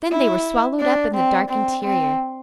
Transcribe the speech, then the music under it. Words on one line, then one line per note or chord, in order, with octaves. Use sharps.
Then they were swallowed up in the dark interior.
E4
D4
C4
C4
C4